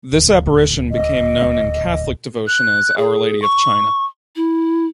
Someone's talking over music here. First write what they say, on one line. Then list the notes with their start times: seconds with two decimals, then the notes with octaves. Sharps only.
This apparition became known in Catholic devotion as Our Lady of China.
0.13 D#1 D2
0.91 D#5
2.47 F#6
2.98 G#4
3.42 C#6
4.36 E4